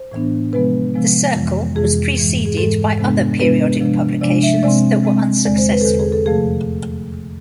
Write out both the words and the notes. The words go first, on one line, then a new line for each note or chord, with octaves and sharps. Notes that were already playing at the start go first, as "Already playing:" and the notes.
The Circle was preceded by other periodic publications that were unsuccessful.
Already playing: C5
A2 E3 B3 D4
C3 F3 G#3 B3 B4
C3 F3 G#3 B3
F2 C3 E3 G#3
F2 C3 E3 G#3 G#4
G#2 E3 G#3
G#4
G#2 E3 G#3 A4
C3 G#3 B3 D4
C3 G#3 B3 D4 B4
C3 F3 G#3 D4
C3 F3 G#3 D4 D5
E5
C3 G#3 C4 D5
C3 G#3 C4
E2 D3 G#3 D5
C5
B4
A4
E2 D3 G#3 B4
G#4
A4
F2 C3 F3 A3 G#4